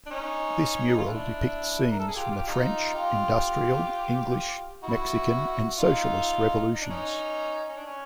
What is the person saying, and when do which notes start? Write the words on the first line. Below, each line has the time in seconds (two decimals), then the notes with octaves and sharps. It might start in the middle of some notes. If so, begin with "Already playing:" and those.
This mural depicts scenes from the French, Industrial, English, Mexican and Socialist Revolutions.
0.06 D4
0.11 C#4 D#4
0.98 F4
1.06 D4 E4
1.91 A#4
1.99 A4
2.08 G#4
2.16 F4 G4
2.31 F4 G4
2.47 D#4 F4
2.94 F4 G4
4.83 E4 F#4
5.78 D#4 F4
6.73 D#4
6.82 D4
6.90 C#4 D#4
7.67 C#4
7.77 D4
7.86 C#4